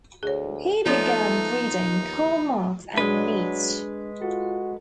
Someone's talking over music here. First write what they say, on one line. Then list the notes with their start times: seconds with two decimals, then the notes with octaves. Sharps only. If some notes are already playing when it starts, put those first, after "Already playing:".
He began reading Karl Marx and Nietzsche.
0.23 D2 G#4 C#5
0.86 F3 A3 B3 D#4 C#5 D5
1.79 D#2
2.98 F#3 G#3 D4 G#4 B4 D5
4.22 F4 F#4 A4